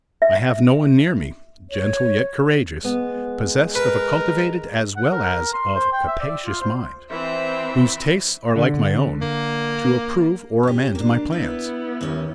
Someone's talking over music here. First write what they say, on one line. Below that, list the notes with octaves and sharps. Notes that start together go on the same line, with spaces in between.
I have no one near me, gentle yet courageous, possessed of a cultivated as well as of a capacious mind, whose tastes are like my own, to approve or amend my plans.
E5
C#5
G#3 B3
A#4 B4
F#5
A#4
C6
C5
G5
E5
D5
F4
C5
E3 C4 C5 E5
D3
A#3
C#4 G4
A#3 D4
B3 E4 B4
D#2 C#4